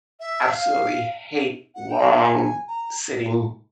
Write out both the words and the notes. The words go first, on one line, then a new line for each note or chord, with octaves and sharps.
absolutely hate long, sitting
E5
F5
F#5
G5
G#5
A#5